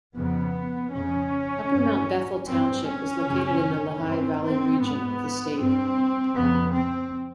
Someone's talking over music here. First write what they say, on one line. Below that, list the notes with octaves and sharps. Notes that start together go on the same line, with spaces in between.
Upper Mount Bethel Township is located in the Lehigh Valley region of the state.
F2 C#3 B3
F2 C#3 C#4
G2
G2 C4
C#4
F#2 C#3
G2 C4
C4
G#2 B3
G2 C4
F2 C#3 B3
C4